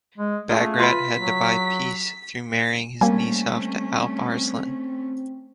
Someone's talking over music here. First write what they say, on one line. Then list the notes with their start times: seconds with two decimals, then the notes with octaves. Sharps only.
Bagrat had to buy peace through marrying his niece off to Alp Arslan.
0.18 G#3
0.49 A3 C#4 F4 G#4
0.79 F4 B4 B5 B6
1.14 F#3
3.01 G3 A3 A#3 C4 C#4 G#5